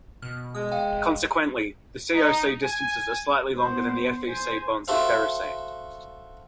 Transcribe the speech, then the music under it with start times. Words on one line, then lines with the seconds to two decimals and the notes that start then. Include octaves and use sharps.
Consequently, the Co-C distances are slightly longer than the Fe-C bonds in ferrocene.
0.22 B2 F6
0.55 G#3 D#6
0.72 F5 G5
0.93 G#1
2.14 D#4
2.63 G#5
3.57 B3 C5
4.27 C5 G#5
4.88 F#4 A4 C5 E5 F5